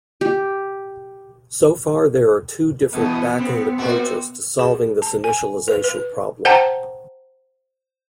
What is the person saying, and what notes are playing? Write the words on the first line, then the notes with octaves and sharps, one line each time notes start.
So far there are two different backend approaches to solving this initialization problem.
G4
E2 B2 B3
C4
A#2 C4 F#4
G#4
A5
G#5
B4
B4
C5 F#5 G5 A5 A#5